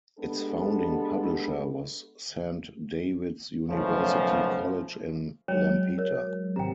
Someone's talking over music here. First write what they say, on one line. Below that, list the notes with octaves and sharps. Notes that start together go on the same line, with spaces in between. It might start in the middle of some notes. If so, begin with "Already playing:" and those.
Its founding publisher was Saint David's University College in Lampeter.
G#3 B3 D4 G4 A4
B1 F#2 C#3 F3 A3
F#3 G#3 C#5 G5
A#4 C#5
G#1 C3 G5 A#5